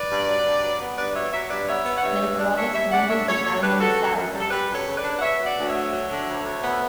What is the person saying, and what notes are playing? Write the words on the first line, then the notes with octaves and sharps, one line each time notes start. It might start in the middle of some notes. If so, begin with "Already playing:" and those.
Lake Rhodhiss borders the town on the south.
Already playing: B4 D5
G2
F#3
G2
F#3
B3
G2 B4 D5
F#3 C#5 E5
F#3 C#5 E5
G2 B4 D5
B3 C#5 E5
B3
F#5
G2 C#5 E5
G2
D4
D4 C#5 E5
G3 C#5 E5
C#3 D5 F#5
D4 C#5 E5
C#3 A4 C#5
F#2 A4 C#5
D4 G4 B4
C#3 F#4 A4
F#2
F#2
G3
A4
G3 G4 B4
F#2
A4 C#5
C#3
B4 D5
D4
F#5
B3 C#5 E5
F#3
D5 F#5
D2
C#5 E5
F#3
F#3
D3
D2
D2
B3